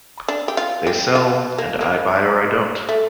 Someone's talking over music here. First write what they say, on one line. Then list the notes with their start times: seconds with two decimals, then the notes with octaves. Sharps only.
They sell and I buy or I don't.
0.28 D4
0.48 G4
0.57 F4
0.87 G4
1.15 F4
1.58 A#3
1.81 A#3
2.89 A3